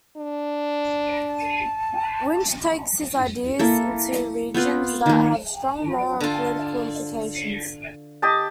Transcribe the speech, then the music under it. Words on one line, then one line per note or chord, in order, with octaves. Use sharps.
Winch takes his ideas into regions that have strong moral and political implications.
D4
A5
A#3 E4 A4
B3 C4 F4 B4
D#3 A#3
D3 F4
G4 D#5 A5